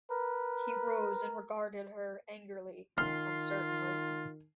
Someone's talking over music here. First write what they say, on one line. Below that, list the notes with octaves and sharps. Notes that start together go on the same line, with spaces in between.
He rose and regarded her angrily, uncertainly.
A#4 B4
D#3 F4 C6 F6